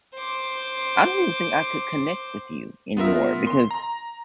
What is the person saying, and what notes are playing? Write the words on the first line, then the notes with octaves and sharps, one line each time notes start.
I don't even think I could connect with you anymore," because
C5 D6
B3 F4 A#4 E5
C6
A#5